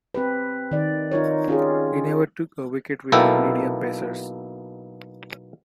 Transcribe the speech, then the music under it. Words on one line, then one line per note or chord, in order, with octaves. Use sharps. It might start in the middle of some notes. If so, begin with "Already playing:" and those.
He never took a wicket with his medium pacers.
C4 G4 B4
D#3 D5
D#4 F4 A#4 C#5
C#4 F4 G4 G#4
B1 B2 A#3 E4 A4 G5